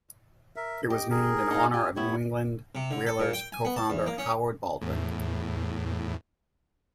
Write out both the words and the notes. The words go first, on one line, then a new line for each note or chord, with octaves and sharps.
It was named in honour of New England Whalers co-founder Howard Baldwin.
A#4 E5
G4 D#5
G#4 A#4
D#4 F5
F4 G4 G#5
B3 E4 G4 C#5
C3
D3
A4
A#2
G5
G#5
B3
A5
E2
A#3
C#4
E2 A2